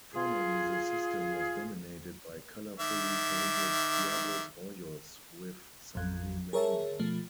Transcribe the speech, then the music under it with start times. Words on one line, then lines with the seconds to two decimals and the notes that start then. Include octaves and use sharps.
Formerly, the system was dominated by colorfully painted "diablos rojos", with some remaining.
0.14 F4 G#4
2.80 D#3 E5 D6
5.95 A1 F2
6.53 G#4 A#4 C#5 E5 A5
6.99 B2 F3 A3